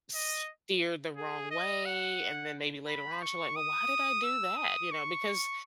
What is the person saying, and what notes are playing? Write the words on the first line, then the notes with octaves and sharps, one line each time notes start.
s steered the wrong way, and then maybe later on she's like, "Well, why did I do that?" You know, because,
D#5
G#4
D#5
F#5
B5
C#6
D#6
E6
D#6
C#6